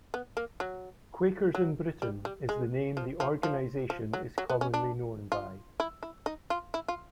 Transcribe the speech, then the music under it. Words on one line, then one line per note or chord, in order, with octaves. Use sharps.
Quakers in Britain is the name the organization is commonly known by.
B3
A#3
F#3
F#3
G3
G3
G#3
F3
F3
F3
F3
F#3
F#3
B3
C#4
D4
F4
E4
E4
D#4
F4
E4
F4